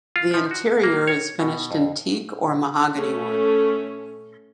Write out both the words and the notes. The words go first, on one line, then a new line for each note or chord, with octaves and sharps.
The interior is finished in teak or mahogany wood.
F4
F3
F#4
A#3
C#5
B2
F2
A3 C#4